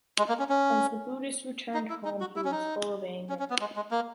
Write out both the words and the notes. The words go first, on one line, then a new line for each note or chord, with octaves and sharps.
As the Buddhist returned home, he was full of anger.
G#3
A#3
C#4
C#4
D#4
E4
D#4
F#4
E4
C#4
D#4
C#4
C#4
B3
G#3
G#3
A#3